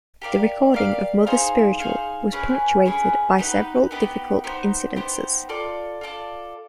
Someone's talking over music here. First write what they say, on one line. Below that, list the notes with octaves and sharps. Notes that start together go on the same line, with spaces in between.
The recording of "Mother's Spiritual" was punctuated by several difficult incidences.
G4 A#4 D5 F5
G4 A#4 D5 F5
D#4 G#4 C5 F5
D#4 G#4 C5 F5
C#4 E4 G#4 B4
C#4 E4 G#4 B4
B3 D#4 G4 B4
B3 D#4 G4 B4
B3 D#4 G4 C5
B3 D#4 G4 C5
F4 A4 D5
F4 A4 D5